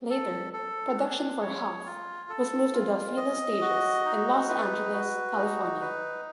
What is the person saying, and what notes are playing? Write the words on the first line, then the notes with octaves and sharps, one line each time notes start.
Later, production for "Huff" was moved to Delfino Stages in Los Angeles, California.
A4
A4
D4
C#5
F4
A4
F4
D#5
F#4
D#4
B4
F#4
D#4
B4